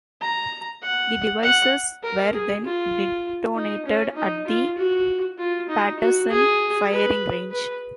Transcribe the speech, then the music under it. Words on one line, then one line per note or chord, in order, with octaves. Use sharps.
The devices were then detonated at the Paterson firing range.
A#5
F#5
F#5
A#4
G#4
F4
D#4
C#4
D#4
F4
F#4
F4
D#4
F#4
G#4
B4
B4